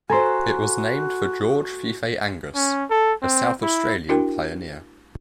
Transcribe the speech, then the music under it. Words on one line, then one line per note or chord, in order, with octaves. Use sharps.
It was named for George Fife Angas, a South Australian pioneer.
F#4 A4 C5 G#5 A#5 C6
C#4
A4
C4
E4
D4 E4 F#4 A#4 G5